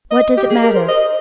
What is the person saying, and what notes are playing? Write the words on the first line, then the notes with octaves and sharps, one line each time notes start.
What does it matter?
D#5
G4
G#4
A#4
C5
D#5